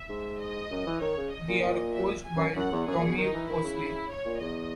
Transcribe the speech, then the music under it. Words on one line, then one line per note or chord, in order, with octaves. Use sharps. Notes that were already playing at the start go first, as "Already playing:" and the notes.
They are coached by Tommie Posley.
Already playing: E5
G#2
D#5
F#2
E3
D#3 C#5
C#3
D#5
A#2
E5
G#5
F#2
F#2 F#5
E2
F#2 G#4
A#2
B2
D#3 D#4
E3
D#3 E4
C#3
C#5
A#2
E2 D#5